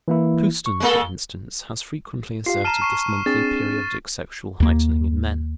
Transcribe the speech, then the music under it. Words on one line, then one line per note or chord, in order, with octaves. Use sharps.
Clouston, for instance, has frequently asserted this monthly periodic sexual heightening in men.
E3 A#3 E4
C#6
G#3 A#3 A4
F4 G4 F5 C7
A5 A#5 F6 D#7 E7
C#6 C7
C4 D4 G#4 A6
D#2 A#3